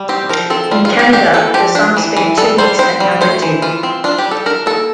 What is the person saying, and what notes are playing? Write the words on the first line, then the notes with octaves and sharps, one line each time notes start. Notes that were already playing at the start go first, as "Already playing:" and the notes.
In Canada, the song spent two weeks at number two.
Already playing: G3
C4 G4
F3 A#4
C4 A4
G3 F4
F4
D4
G4
D4 G4
E3 A4
F3 G4
D4
E3
E3
G3 A4
G3 C5
C4 C5
G3
A3 C5
E3
E3 F4
C4
D4 F4
G4
G3
A4
D4 A#4
A#3 A4